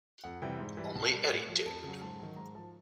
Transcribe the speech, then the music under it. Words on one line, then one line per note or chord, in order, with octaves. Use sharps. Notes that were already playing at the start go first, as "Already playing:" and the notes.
Only Eddie dared.
F2 F#5
C3 E3 G3 G5
G#2
E3 G3
B2 A5
G3
A2
F3
F2 A5
C#3 F#3
G#2 A5
D#3 F#3
G#2 A#5
F3 A5